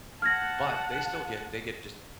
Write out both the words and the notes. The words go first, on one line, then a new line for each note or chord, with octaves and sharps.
but, they still get they get, just
F#5 A5 F6 G#6 A#6